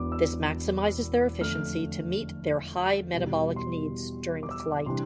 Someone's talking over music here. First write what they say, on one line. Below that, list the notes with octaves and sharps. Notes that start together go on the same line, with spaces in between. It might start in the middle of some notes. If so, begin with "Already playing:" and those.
This maximizes their efficiency to meet their high metabolic needs during flight.
Already playing: E1 E2 B2 B3 D4 D6
E6
F2 D3 A3 F6
E2 B2 G3
C6
D6
E6
D6
C3 E3 G3 D4 C6